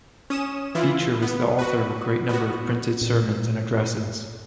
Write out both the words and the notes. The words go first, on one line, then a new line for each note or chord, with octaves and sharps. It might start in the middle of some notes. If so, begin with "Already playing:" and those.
Beecher was the author of a great number of printed sermons and addresses.
C#4 D#6 E7
E3 E4 F4
B3
F#4 B4
B3 F#4
A#2